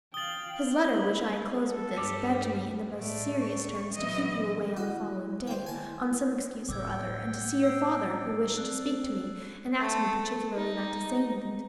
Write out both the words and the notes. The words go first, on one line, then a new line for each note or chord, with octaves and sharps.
His letter, which I inclose with this, begged me, in the most serious terms, to keep you away on the following day, on some excuse or other, and to see your father, who wished to speak to me, and asked me particularly not to say anything to you about it.
F5 G5 D#6 A6 F#7 G7
B4
A4
G2 G3 D6
A2 A3 D5
C#6
A#2 E3 F#3 D#5
E4 F#4
C5 G5
G#5 A5
A2 F#5 G5 D6 E6 G#6
E6 C7 D7
C4 A4 D5 F#6
A3
D#4